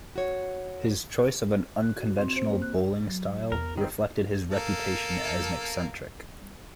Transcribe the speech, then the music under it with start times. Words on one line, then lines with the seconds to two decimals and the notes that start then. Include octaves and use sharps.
His choice of an unconventional bowling style reflected his reputation as an eccentric.
0.16 F#4 C#5
1.82 F#6
1.96 F#4
2.18 C4
2.36 C5
2.47 A#3
2.62 F#6
3.07 F#3
3.52 E2 A#4
3.78 D#3 C4
4.51 A#3 A4